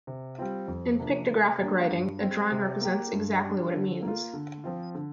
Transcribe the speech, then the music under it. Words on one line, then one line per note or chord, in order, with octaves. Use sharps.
In pictographic writing, a drawing represents exactly what it means.
C3
G3 C4 F4
F2
C3 F3 A#3 D4
C3
G3 A#3 D4 G4
G2
G3 C4
C3
A#3 G4
G2
G3 D4
D3
A#3
F4
D3
F3 C4 F4
D3